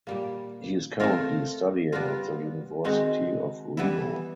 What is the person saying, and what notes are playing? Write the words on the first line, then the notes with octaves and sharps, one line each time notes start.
He is currently studying at the University of Reno.
A#2 G3 A#3
A3 C4 F4 A#4
G3 B3 D4 F4 A#4
D#3 G#3 C4 D#4 F#4
E3 G3 B3 E4